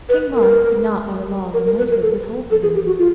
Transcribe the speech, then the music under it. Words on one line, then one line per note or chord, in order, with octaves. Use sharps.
King Mark could not by the laws of knighthood withhold the boon.
B4
A#4
A#4
A#4
B4
A#4
A4
A4
G#4
G4
F#4
F4